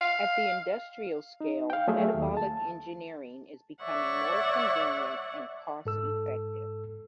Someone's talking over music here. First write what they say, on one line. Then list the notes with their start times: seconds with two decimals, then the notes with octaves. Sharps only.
At the industrial scale, metabolic engineering is becoming more convenient and cost effective.
0.01 F5
1.40 D#4
1.70 F5 G5
1.88 F#3 A3 G#4 E5
2.14 D#2
2.37 A5
3.81 C#5 D5 E5 F#5 C#6
5.85 G#2 A4 E6